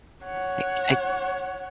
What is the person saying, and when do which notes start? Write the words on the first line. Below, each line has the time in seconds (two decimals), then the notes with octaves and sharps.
I I
0.24 C#5 F#5